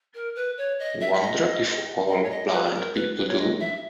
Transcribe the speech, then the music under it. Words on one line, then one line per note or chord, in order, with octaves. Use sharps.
Wonder if all blind people do?
A#4
B4
C#5
D#5
E5
E5
D#5
D#5
C#5
D#5
B4
G#4
A#4
B4
B4
C#5
D#5
E5